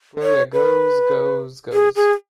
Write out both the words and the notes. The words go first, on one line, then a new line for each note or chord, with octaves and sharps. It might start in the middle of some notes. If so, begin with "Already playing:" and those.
Gloria goes, goes, goes.
C#5
B4
G#4
G#4